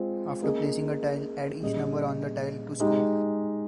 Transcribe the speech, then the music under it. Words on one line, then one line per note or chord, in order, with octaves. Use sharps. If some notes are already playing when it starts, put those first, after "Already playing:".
After placing a tile, add each number on the tile to score.
Already playing: G#3 C4 F4
A#3 C#4 G#4 D#5
A#2 G3 C#4 G#4 D#5
G#3 D#4 G4